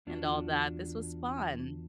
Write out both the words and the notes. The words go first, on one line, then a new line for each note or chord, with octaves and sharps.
and all that, this was fun.
E2 D4 F4 F#4